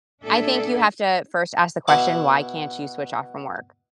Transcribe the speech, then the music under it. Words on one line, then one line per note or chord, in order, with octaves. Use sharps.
I think you have to first ask the question, "Why can't you switch off from work?"
A#2 D4 G#4 A4 D5 E5
B2 E4 F#5 D6